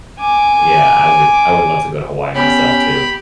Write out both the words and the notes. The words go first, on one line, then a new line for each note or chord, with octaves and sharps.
Yeah, I would I would love to go to Hawaii myself too.
G#5 D6
B3 C#4 G4 B5